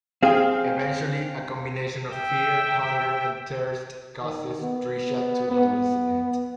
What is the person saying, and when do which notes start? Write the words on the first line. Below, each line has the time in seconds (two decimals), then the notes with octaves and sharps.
Eventually, a combination of fear, hunger, and thirst causes Trisha to hallucinate.
0.23 C4 G#4 F5 G5
2.13 E5 G5
4.21 D#3
4.62 B3
5.51 B3